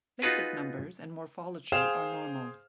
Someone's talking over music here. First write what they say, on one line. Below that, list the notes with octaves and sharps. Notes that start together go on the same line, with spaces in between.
Platelet numbers and morphology are normal.
B3 D#4 F4 F#4 G#4 B4
G#4 C5 F5 G5 F6 E7